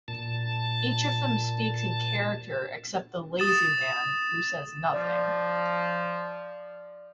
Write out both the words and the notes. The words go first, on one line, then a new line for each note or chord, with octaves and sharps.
Each of them speaks in character, except the Lazy Man, who says nothing.
A#2 A5
D#6 A6 E7
F3 D5